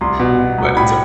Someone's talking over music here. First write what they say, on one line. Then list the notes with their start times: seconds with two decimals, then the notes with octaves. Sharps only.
But it's, uh
0.01 C2 C6
0.20 B2
0.39 B2
0.58 C2
0.77 A2 B5